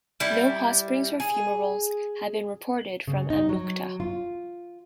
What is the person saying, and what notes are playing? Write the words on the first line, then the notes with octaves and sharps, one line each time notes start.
No hot springs or fumaroles have been reported from Amukta.
G3 E4
G#4
C#3
D#4
F#3
F4